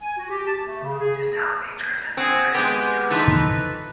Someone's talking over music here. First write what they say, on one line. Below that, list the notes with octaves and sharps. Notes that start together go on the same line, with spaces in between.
It is now a major event in France and Europe.
G#5
F#4
G4
A5
A3
C#3
G#4
C4 F#4 G#4
G#3 B3 G4
E3 F3 D#4 A4 B4